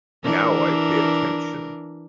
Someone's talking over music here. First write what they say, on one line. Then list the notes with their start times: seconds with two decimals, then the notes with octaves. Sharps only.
Now I pay attention.
0.24 E3 D4 A#4